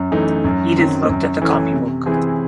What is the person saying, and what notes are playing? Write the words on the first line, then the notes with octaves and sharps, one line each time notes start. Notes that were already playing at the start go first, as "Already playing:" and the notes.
Edith looked at the copybook.
Already playing: F#2
E3 A3 D#4
F#2
D#3 F#3 C4
F#2
E3 A3 C#4
C3
E3 C4 E4 G#4